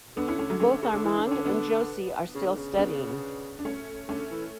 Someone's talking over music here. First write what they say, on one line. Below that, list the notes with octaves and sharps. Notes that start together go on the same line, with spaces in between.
Both Armand and Josie are still studying.
D3 B3 D4
C#4 E4
A3 C#4
F#3 A3
A3 C#4
C#3
D3
E3 E4
D4
D3
C#4
B3 D4
C#3
D3
C#3
B3 D4
D4
A3 C#4
D3 A3 C#4
E3